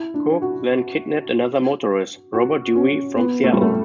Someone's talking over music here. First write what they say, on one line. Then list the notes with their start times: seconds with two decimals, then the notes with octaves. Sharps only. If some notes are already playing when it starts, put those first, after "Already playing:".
Cook then kidnapped another motorist, Robert Dewey, from Seattle.
Already playing: E4
0.14 D4
0.42 F#4
2.34 F#4
2.76 C#4
3.16 B3
3.44 A3
3.53 G3
3.61 A3